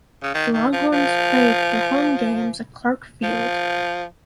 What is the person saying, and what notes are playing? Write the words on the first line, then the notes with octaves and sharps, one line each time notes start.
The Longhorns played their home games at Clark Field.
C#3
D#3
D#3
F3
F3
F3